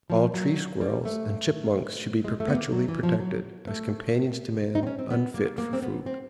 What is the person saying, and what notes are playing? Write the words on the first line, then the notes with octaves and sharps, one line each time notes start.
All tree squirrels and chipmunks should be perpetually protected, as companions to man, unfit for food.
F3
F#3
G3
A3
G#3
A3
B3
A#3
F#3
E3
F3
F#3
A3
D#4
C4
C#4
C4
B3
A#3
A#3
C4
B3
C4